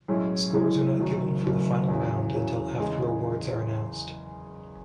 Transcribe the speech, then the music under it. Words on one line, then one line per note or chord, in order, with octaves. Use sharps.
Scores are not given for the final round until after awards are announced.
B1 A2 G#3 C#4 E4
B1 A2 G#3 C#4 E4
F#1 F#2 D#3 F#3 A3
F#1 F#2 D#3 F#3 A3
E2 C#3 F#3
E2 C#3 F#3
E2 C#3 G#3 D#4